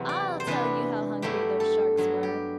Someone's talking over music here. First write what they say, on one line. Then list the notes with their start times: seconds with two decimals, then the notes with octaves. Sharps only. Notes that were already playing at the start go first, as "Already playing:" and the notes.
I'll tell you how hungry those sharks were.
Already playing: E2 C3 F#3 C4 E4
0.09 D5
0.40 C5
0.47 C3 E3 B3 D4 B4
1.22 G2 F#3 A3 E4 G4
1.60 A4
1.97 G2 F#3 B3 E4 F#4
2.23 G4